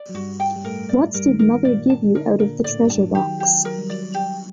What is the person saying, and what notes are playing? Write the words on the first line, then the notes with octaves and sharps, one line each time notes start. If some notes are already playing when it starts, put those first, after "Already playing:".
What did mother give you out of the treasure-box?
Already playing: D5
F#3
G2 G3 F#4
G5
G3
A2 A3 A#4
D5
G2 G3 A#4
D#3
D#3 A#4
A#2 A#3 D5
A5
D3 D4 A#4
A#2 A#3 A#4
A2 A3 D5
G2 G3
A5
F#3
D#3 G4
F#3
D#3 G4
F#3 A#4
G3
F#3 D5
G4